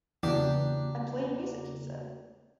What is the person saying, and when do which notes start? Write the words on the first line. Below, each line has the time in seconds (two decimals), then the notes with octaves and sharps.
I played music, he said.
0.23 E2 C#3 A#3 D4 F#4 G4